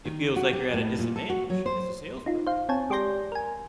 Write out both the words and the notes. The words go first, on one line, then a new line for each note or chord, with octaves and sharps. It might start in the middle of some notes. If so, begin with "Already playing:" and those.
it feels like you're at a disadvantage as a salesperson.
D#3
F#4
G4
A2
A#2
A4
F#4
F#3
C5
D#4 F4
C5 F5
C4 C#5 G#5 A5
G#3 G4 D5 C6 G6 A#6
A#4 G#5